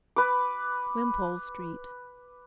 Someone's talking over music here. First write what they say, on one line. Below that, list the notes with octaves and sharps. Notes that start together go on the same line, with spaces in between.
Wimpole Street.
B4 D6